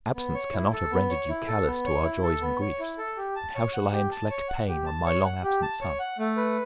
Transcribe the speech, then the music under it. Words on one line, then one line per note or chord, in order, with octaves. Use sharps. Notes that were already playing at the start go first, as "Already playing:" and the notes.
Absence cannot have rendered you callous to our joys and griefs; and how shall I inflict pain on my long absent son?
B3
C#5
E4
A4
B3
C#5
E4
A4
B3
C#5
E4
A4
B3
C#5
E4
A4
G4
A5
C#5
F#5
G4
A5
C#5
F#5
G4
A5
C#5
F#5
G4
A5
C#5
F#5
A3
B4